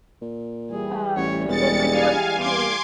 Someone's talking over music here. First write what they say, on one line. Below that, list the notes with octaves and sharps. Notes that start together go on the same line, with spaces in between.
uh, if my goal is to
A#2
E3 G3 G#4
A1 C#5
E1 G#3 A6 C#7
F5 G#5
E2 G4 C6 D6 G#6